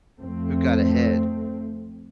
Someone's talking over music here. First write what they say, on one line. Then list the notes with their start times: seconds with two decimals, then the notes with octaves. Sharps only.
who got ahead,
0.18 F2 A3 C4